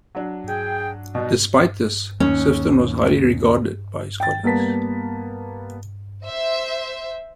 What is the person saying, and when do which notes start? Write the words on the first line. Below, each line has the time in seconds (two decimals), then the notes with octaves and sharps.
Despite this, Sifton was highly regarded by his colleagues.
0.15 F#3 D4
0.48 G#4 G5
1.15 B2 G3 D4 D#4
2.20 D#2 C#4
4.20 G5 A6
4.43 G3 A#3 B3 A5 B6
6.26 C5 E5